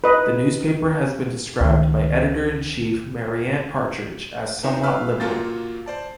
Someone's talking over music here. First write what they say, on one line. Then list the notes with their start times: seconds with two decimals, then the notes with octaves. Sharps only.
The newspaper has been described by editor-in-chief Marianne Partridge as somewhat liberal.
0.04 B4 D#5
1.60 C#2 D#3
4.63 B3 D4 D#4 F#4 C5 E5
4.83 B4 E5 F5 E6 F6
5.20 A#2 A#3 F4 F#4 G6 A6
5.86 C5 D5 A5